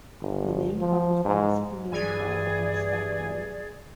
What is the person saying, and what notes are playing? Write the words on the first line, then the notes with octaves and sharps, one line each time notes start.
The name comes from a swinging club in Stockholm.
G1
F3
G#2
G2 E3 G#4 D5 G#5